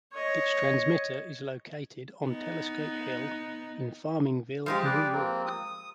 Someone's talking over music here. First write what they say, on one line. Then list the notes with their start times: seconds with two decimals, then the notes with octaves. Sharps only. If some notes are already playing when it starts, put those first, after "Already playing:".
Its transmitter is located on Telescope Hill in Farmingville, New York.
0.13 C#5 D#5
2.25 B3 D#4
4.66 F3 G#3 G4 C5 F5
4.85 B4 D5 G5
5.13 A#3 C4
5.46 D#6